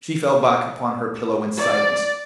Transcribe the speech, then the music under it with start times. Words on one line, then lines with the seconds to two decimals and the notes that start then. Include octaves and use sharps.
She fell back upon her pillow in silence.
1.58 D5